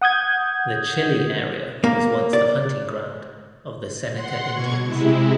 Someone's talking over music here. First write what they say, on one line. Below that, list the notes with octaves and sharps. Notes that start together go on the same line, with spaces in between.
The Chili area was once the hunting ground of the Seneca Indians.
F#5 D#6 G6 G#6
A#3
D5
F#5 C6
B2 C#6 G#6
C3 G#3 E4